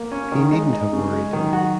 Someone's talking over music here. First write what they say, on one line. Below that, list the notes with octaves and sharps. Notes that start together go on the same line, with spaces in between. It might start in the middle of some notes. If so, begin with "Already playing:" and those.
He needn't have worried.
Already playing: A#3
C#4
D#3
G#3 D#4
D#4
C#3
G#3
D#3 F#3
F#4